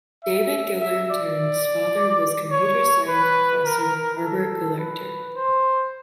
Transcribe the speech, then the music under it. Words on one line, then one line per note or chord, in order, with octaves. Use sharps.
David Gelernter's father was computer science professor Herbert Gelernter.
E5
E5
D5
C#5
B4
A#4
A4
B4
C5